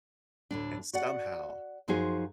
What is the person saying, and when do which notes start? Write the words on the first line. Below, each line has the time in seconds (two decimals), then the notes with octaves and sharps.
And somehow
0.51 D2 A2 D4
0.93 F#4 D5 F#5
1.88 F#2 F3 D#4 F#4 G#4 C5